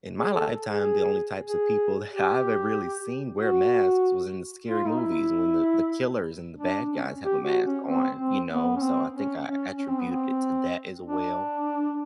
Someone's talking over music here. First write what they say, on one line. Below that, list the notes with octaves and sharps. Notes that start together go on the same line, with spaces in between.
in my lifetime, the only types of people that I've ever really seen wear masks, was in the scary movies, when the the killers and the bad guys have a mask on, you know, so, I think I attributed it to that as well,
G#4
A4
G#4
G#4
G4
F#4
F4
D#4
E4
D4
C#4
G4
F#4
C#4
C4
C4
B3
C#4
C4
C#4
C#4
C#4
C4
B3
C4
D4